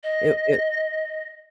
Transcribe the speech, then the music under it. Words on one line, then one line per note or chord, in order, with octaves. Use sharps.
It it
D#5